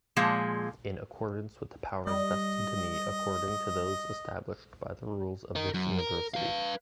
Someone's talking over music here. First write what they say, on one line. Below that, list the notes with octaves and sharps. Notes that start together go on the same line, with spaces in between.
In accordance with the powers vested to me according to those established by the rules of this university.
A#2 F3 G#3
G3 D#5
A#4 D#5
F#2
A#4
B4 F5